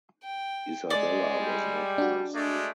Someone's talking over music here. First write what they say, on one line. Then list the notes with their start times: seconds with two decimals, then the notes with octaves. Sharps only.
Isabella was not asked.
0.24 G5
0.90 G#3 D5
1.36 G3
1.98 D4 F#4
2.34 G#3 A3 D5